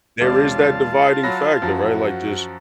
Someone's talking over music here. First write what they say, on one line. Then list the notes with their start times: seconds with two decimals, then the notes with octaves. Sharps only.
there is that dividing factor, right, like, just
0.21 E1 C3 G3 C#4 F4 D5 A5
1.23 F#3 B5 A#6
1.62 F#2 F3 F#4